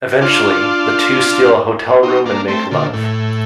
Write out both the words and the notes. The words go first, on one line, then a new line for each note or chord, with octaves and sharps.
Eventually, the two steal a hotel room and make love.
D4 F4
C4 D#4
A#3 D4
A3 C4
A#2 D3
A2